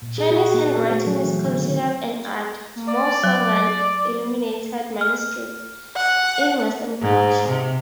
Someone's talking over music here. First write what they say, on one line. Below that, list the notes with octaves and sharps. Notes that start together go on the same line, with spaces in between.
Chinese handwriting is considered an art, more so than illuminated manuscripts in Western culture.
A#2
G#4
F#4
A#3
F#4
A3
F#3
E3
D3
D#3
D5
F#3
F6
F#5
G#2
C3